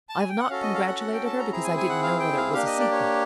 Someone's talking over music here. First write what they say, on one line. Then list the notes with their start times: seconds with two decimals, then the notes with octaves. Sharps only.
I have not congratulated her, because I didn't know whether it was a secret.
0.09 A5
0.19 G#5
0.29 G5
0.40 F#5
0.49 C#4 F#4 A4 F5
0.62 D#5
0.75 F5
0.87 F#5
1.00 F#5
1.13 G5
1.26 A5
1.39 A#5
1.52 C4 E4 G#4 A#5
1.64 G#5
1.77 G#5
1.89 F#5
2.02 F5
2.20 G5
2.37 F5
2.53 A#3 D4 G4 F5
2.66 D#5
2.79 D5
2.92 C#5